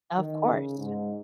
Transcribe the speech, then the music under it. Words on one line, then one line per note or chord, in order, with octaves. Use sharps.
Of course.
D#3
C#3
G#2